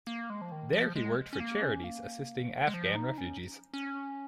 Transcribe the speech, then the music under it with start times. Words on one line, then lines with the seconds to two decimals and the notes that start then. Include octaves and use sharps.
There he worked for charities assisting Afghan refugees.
0.07 A#3
0.30 G#3
0.41 F3
0.52 D#3
0.73 F3
0.96 G#3
1.33 C#4
1.40 A#3
1.62 C#4
1.84 A#3
2.67 G#3
2.74 F3
2.95 D#4
3.18 C#4
3.74 C#4